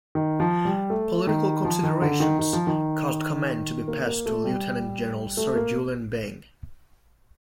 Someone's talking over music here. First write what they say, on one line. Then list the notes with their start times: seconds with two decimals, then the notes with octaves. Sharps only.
Political considerations caused command to be passed to Lieutenant-General Sir Julian Byng.
0.15 D#3
0.40 F3
0.65 G3
0.90 A3
1.27 D#3
1.65 F3
1.83 D#3
2.02 D3
2.20 D#3
2.39 D#3
2.53 F3
2.67 D#3
3.88 A#3
4.06 A#3
4.26 A3
4.44 G3
5.37 A3
5.55 A#3